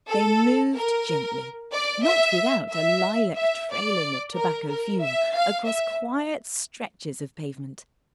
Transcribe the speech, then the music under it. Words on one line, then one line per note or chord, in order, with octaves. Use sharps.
They moved gently, not without a lilac trailing of tobacco fume, across quiet stretches of pavement.
A4
A#4
D5
E5
E5
E5
D5
A#4
A#4
E5
F5
E5